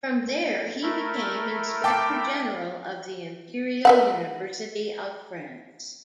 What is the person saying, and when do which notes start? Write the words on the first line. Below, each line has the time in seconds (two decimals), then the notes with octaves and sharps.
From there he became inspector general of the Imperial University of France.
0.83 A3 E4 A#4
1.84 G5 A5 D6
3.85 B4 E5 F#5